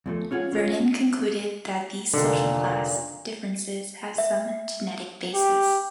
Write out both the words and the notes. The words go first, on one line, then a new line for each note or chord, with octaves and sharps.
Vernon concluded that these social class differences have some genetic basis.
E2 F3 A3
C#4 F4 G#4 F#5
C#4 F4
F1 A#2 D3 D#3
E5
G4